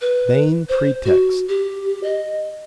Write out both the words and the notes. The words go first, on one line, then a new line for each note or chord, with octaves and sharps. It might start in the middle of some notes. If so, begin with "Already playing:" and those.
Vain pretext!
B4
C5
F#4
G4
D#5